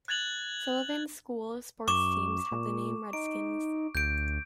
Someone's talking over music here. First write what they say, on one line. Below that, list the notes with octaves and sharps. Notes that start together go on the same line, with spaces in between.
Sullivan's school sports teams have the name Redskins.
F#6 G#6 A6 F7 F#7
F#2 C#6 D6 E7
A#2
D#4 D7
D2 G6 D7